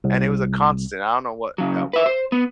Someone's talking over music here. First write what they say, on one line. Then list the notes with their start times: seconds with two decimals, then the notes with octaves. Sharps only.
And it was a constant, I don't know what that was,
0.04 C2
1.58 C#3 F#3
1.93 B4 E5
2.06 C5
2.32 B3